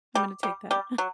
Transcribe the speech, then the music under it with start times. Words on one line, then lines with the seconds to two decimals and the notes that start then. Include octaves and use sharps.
I'm gonna take that.
0.15 G3
0.43 G3
0.71 G3
0.98 F#3